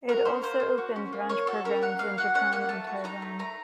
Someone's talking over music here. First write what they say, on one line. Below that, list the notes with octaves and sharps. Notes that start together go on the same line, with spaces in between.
It also opened branch programs in Japan and Taiwan.
F#4 A#4
C#4 C5
A#3 C5
A#3
F#4
C#4
A#3
A#3 C#5
F#4 A4
C#4 A#4
A#3 F#5
A#3 F5
F#4 F#5
C#4 F#5
A#3 F#5
A3 A5
F#4
D#4 A#5
A3
A3 A#5